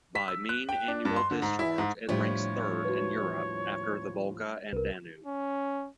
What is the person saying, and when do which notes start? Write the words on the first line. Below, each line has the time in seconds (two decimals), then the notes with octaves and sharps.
By mean annual discharge it ranks third in Europe, after the Volga and Danube.
0.15 B6
0.28 E6
0.49 F#6
0.69 G5
0.88 D4
1.05 G2
1.16 C6
1.31 D3
1.42 G#2
1.59 E4
1.78 G#2
2.09 D#2 A2 F3 G3 D4 F4 C#5
2.85 F#4 B4
4.73 C2 A#4 B4
5.26 C#4